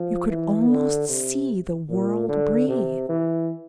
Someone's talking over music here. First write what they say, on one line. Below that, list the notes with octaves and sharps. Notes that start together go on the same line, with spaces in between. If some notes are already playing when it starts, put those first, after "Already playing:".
You could almost see the world breathe.
Already playing: F3
E3
D3
C3
A#2
D3
C3
E3